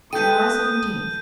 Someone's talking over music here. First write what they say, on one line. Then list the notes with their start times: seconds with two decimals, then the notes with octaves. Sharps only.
July Seventeenth.
0.13 A4 B4 G5 D#6 G6 D#7